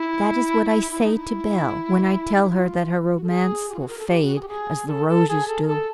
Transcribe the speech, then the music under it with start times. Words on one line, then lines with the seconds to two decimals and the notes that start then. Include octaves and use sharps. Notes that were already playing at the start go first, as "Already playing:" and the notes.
That is what I say to Bell when I tell her that her romance will fade as the roses do.
Already playing: E4
0.91 E4
1.04 D#4
1.17 E4
2.36 D#4
2.43 E4
2.50 F4
3.02 F4
3.16 F#4
3.24 A4
3.29 G#4
3.69 G4
3.74 F4
3.80 F#4
3.89 A#4
3.99 A4
4.08 G4
4.22 F#4
4.35 G#4
4.42 G4
4.48 G#4
4.88 A4
5.08 A4
5.28 G#4
5.47 A4
5.62 A#4
5.67 A4